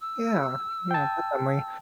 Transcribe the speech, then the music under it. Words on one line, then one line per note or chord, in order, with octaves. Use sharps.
Yeah, yeah, definitely.
E6
G5 A5